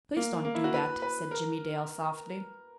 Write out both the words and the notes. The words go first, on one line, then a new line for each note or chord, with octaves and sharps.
"Please don't do that," said Jimmie Dale softly.
A#3
A#3
E4
F#4
B4
B4
A#4